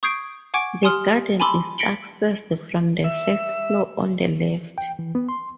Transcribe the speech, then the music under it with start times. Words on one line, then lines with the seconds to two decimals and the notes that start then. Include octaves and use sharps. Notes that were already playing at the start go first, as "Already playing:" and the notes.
The garden is accessed from the first floor on the left.
0.03 C#6 D#6 G6 G#6 C7 D7
0.54 F#5 G#5 C#6 D6 G#6 D7
0.83 G4 G#5 C6 D#6 F6
1.40 G#5 A5 B5 C6 D6 E6
1.78 A#6 B6 C#7 D7 F#7 G7
3.04 E5
4.78 G5
4.99 E3
5.15 B3
5.29 C6